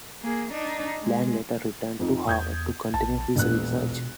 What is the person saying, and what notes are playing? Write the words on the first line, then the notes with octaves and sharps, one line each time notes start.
Land later returned to Harvard to continue his research.
A#3 G#4
D4 D#4
G#3
F2 D#4
E2 D#6 G6 G#6
A#1 A5
E1 A#1 B2 F#6